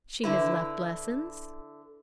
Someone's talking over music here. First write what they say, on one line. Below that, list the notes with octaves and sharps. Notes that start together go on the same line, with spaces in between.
She has left lessons.
D3 E4 B4